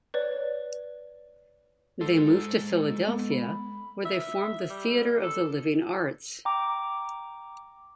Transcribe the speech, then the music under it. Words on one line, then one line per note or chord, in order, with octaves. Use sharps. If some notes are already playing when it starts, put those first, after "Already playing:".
They moved to Philadelphia where they formed the Theatre of the Living Arts.
B4 C#5 D5
G#3 A4 C5
B3
B5
E5
G3
A4
G5 A#5 D6